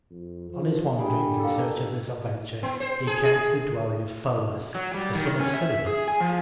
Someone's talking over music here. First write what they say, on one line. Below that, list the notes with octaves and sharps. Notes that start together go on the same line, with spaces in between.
On his wanderings in search of this adventure he came to the dwelling of Pholus, the son of Silenus.
F2
F3
D3 G3 G#4 G5
A#3 A4
B3
C5
G#4
G#4
F#3
G3
D#3
C#4
E5
G#4
G#5
F3